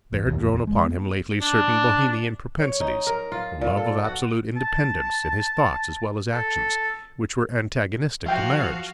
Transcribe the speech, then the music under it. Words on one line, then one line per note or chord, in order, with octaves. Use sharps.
There had grown upon him lately certain Bohemian propensities,--a love of absolute independence in his thoughts as well as actions,--which were antagonistic to marriage.
E2
D#2
E2
E2
G#3
B3
D4
C#5
D#4
A#4
F4
A#2
A4
F#4
A5
A4
F3 F#4 E5 F5 G5